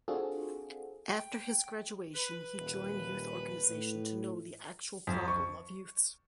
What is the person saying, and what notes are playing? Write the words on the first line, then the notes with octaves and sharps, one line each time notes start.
After his graduation he join Youth Organisation to know the actual problem of youths.
C4 D4 F4 F#4 G#4 A4
G5
B4
D#1
A2
F2
C#6